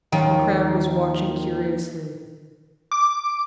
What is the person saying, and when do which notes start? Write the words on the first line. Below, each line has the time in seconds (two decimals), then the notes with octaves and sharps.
The crowd was watching curiously.
0.12 D#2 D#3 F3
2.92 D6